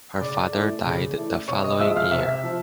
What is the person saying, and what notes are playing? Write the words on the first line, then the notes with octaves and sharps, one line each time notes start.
Her father died the following year.
C#3 D5 D6
E3 A3
C#3
E3 A3
C3 C#5 C#6
D#5 D#6
F3 G#3 E5 E6
F5 F6
C3 E5 E6
F3